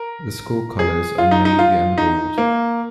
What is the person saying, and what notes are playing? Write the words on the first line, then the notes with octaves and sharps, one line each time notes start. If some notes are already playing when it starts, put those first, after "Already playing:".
The school colors are navy and gold.
Already playing: A#4
G#4
F4
D#4
D#4
F4
D#4
A#3